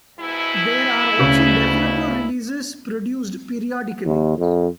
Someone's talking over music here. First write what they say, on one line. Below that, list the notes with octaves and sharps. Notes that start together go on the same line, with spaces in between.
There are also developer releases produced periodically.
G#2 B2 E4
D2 C#3
D#2
F2